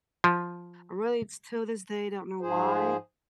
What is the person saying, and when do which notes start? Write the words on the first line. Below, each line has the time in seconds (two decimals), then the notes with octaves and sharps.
Really, it's till this day, I don't know why,
0.24 F3
2.41 G#2 F3 G#4 C5